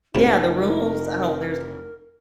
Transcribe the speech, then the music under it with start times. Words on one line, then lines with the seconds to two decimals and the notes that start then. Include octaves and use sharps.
Yeah, the rules? Oh, there's
0.15 F1 A#1 C3 A3 D#4 A#4